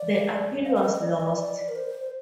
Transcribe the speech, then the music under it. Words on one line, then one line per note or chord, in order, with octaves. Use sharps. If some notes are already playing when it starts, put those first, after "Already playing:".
The appeal was lost.
Already playing: D5
F5
F5
D#5
D#5
D5
D#5
D5
A#4
C5